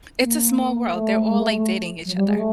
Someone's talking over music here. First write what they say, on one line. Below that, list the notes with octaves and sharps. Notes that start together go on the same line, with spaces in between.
It's a small world, they're all, like, dating each other.
A#3
A3
A3
G#3
A3
A3
F#3
G3
G#3
A3